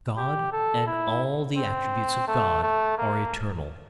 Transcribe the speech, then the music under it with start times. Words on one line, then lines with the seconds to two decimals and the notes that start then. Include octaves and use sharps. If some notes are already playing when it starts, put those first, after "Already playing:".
God, and all the attributes of God, are eternal.
0.18 G4
0.52 A4
0.87 E4
1.57 C4
2.28 A3
2.63 A3
2.98 A#3